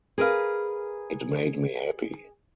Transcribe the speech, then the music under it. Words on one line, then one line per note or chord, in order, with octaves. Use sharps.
It made me happy.
G#4 A#4 B4 F5